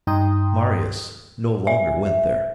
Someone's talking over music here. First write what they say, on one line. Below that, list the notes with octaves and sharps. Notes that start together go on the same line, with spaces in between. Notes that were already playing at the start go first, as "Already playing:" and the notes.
Marius no longer went there.
G2 D#4 G5 A#5 C6 D#6
E5